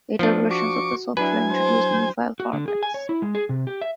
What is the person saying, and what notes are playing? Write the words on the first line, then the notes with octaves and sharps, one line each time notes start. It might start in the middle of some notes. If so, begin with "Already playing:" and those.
Later versions of the software introduced new file formats.
F3 B3 D4 F4
F#4 C#6 D6
F#3 D4 E4 B4 G#5
C5
F#4
D3
G#4
G#5
C#5
E4
G#3
G#4
C3
G4
E5